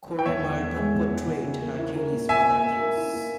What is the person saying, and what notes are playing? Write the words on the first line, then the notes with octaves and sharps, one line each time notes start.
Corey Burton portrayed Hercules' father Zeus.
G5
E2 C#5 E5
E2
E2
G#3
E2
E2
E2
C#3
A#3
E4
A#4
A#2
A#3 E5 G#5
A#3
A#3
A#4
E4
A#3